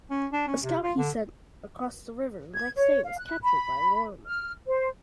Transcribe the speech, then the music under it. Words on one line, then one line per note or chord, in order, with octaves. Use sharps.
A scout he sent across the river the next day was captured by Lorimier.
C#4
D4
C#4
C3
F4
D3
G#6
C#5
F5
F#6
B5
F6
C5